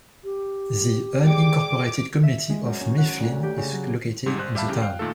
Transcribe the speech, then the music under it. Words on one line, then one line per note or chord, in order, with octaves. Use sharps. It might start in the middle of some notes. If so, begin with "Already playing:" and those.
The unincorporated community of Mifflin is located in the town.
G4
G#4 D5 G5 D6
E5
G#3
F#2
C#4
F#5
D2
G4
C#3
F#3
G#2 C3 G3
G#1 C5 F#6
G3 G4 E5 F5 A5 B5
E2 C#3 G4
F5 G5
A#2 D#3 A3 F4 A4